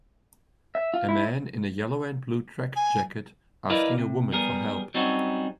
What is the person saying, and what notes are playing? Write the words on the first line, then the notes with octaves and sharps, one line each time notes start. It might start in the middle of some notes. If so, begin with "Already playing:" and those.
A man in a yellow and blue track jacket asking a woman for help.
E5
F4
E4
G#5
E4 A#4 B4 D5 D#5 F5
C3
G3 B3 G#4 A#4
F#3 G3 C4 C#4 D#4 F#4